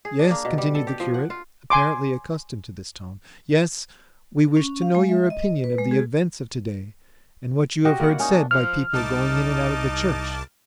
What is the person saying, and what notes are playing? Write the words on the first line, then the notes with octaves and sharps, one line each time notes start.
"Yes," continued the curate, apparently accustomed to this tone, "yes, we wish to know your opinion of the events of to-day and what you have heard said by people going in and out of the church."
G#4
D4
A#3
B2
G3
A4
G4
F3
F#5
F4
G#5 C6 D6
C#4
F5
G#3
E5
D#5
B4
G#3
G#4
F#4 G4 D#5
A#3 E4 D5 F#5
C#4 D#4
D4
F3 F6
C2 D#4 A5 D6